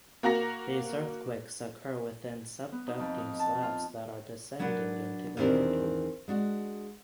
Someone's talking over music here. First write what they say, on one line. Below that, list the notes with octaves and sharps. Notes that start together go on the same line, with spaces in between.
These earthquakes occur within subducting slabs that are descending into the mantle.
A#3 F#4 A#5 A#6
B3
D#4
F2
D#4
A5
F4
F#3 B3 D4 A#4 F#5
E2 D#3 C4 D4 G4 A#4
G#3 D4 F#4